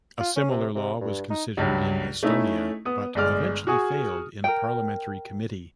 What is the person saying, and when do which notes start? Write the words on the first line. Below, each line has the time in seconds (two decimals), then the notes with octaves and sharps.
A similar law was considered in Estonia, but eventually failed in a parliamentary committee.
0.20 F4
0.36 C#4
0.51 C3
0.75 C3
1.01 G2
1.30 D#4
1.57 C#2 G2 F#3
2.23 A3 C#4 D#4 E4
2.85 B3 D#6
3.15 G1 G#3 D5 F6
3.67 F#4 G#4 C#6 D#6
4.44 A#4 G5